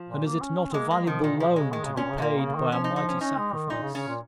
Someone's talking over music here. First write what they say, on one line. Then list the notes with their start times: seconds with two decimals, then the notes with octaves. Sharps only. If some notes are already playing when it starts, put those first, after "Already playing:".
And is it not a valuable loan to be paid by a mighty sacrifice?
Already playing: F3
0.08 A#2
0.25 A#3
0.41 C#4
0.58 C#4
0.74 G#3 A#3
0.91 G#3 A#3
1.07 D#3 F3
1.23 A#2 D#3
1.36 C#3 F3
1.49 A#2
1.56 C#3 G#3
1.73 D#3 G#3
1.85 C#3
1.97 A#2 C#4
2.10 C#3
2.18 G#3
2.22 A#2 A#3
2.38 C#3
2.55 D#3
2.72 F3 C#4
2.84 D#4
2.96 D#4
3.09 C#4
3.21 C#4 D#4
3.38 G#3
3.53 D#3
3.70 A#2 D#4
3.82 C#3
3.95 C#3 C#4
4.08 A#2